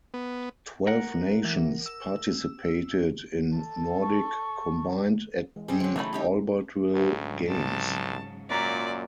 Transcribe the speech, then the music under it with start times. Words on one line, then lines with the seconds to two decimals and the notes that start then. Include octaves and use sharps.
Twelve nations participated in Nordic combined at the Albertville Games.
0.14 B3
0.87 A#4 F#5
1.45 E3
1.86 E6
3.58 A4
4.02 C#6
5.56 E3 G#3
5.68 G3 C4 G#4
5.80 D3 F#3 F#4 C5
5.96 C#3 E3 F#3 A3 D#4 B5
6.13 G3 C#4 D#4 G4 E5
6.93 D2 G#2 C#3 F#3
7.48 C2 A5
8.50 F#2 A#2 D5 A#5